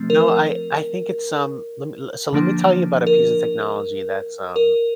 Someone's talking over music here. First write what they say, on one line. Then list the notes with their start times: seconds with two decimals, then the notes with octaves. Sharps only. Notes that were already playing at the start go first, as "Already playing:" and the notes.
No, I I think it's, um, let me So, let me tell you about a piece of technology that's, um,
Already playing: F3 A3 C4
0.10 A#4
2.33 D3 F3 A#3 D4
3.07 A#4
4.56 A#4